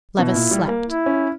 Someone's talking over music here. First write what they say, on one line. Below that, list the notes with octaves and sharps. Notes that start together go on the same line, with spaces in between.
Levice slept.
B2 E4
A#2
G3
A#3
E4
C#4